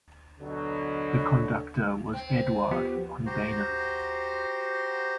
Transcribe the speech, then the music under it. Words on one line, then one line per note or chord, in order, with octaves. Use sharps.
The conductor was Eduard van Beinum.
B2 D3 F#3
C4
F3 B3 F#4 G4
F#4 G4 C5 A#5 C6